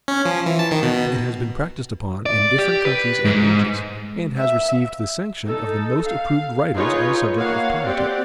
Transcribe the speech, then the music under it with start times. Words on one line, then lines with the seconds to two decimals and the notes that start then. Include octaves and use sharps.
It has been practiced upon in different countries and ages, and has received the sanction of the most approved writers on the subject of politics.
0.08 C#4
0.25 F3
0.46 E3
0.59 A5
0.71 D#3
0.83 B2
2.26 D5
2.58 G4
2.85 B4
3.25 G#2
4.37 E5
5.44 D#4 A4
6.08 F5
6.74 D#4 F4 G#4 B4 C#5
7.35 A#3 C#5 F5 F#5
7.83 C4 G4 D5 F#5